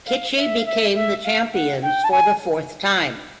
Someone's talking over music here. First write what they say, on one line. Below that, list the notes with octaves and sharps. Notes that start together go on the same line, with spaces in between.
Kitchee became the champions for the fourth time.
F5
E5
F5
E5
E5
F5
F#5
G5
A5
G#5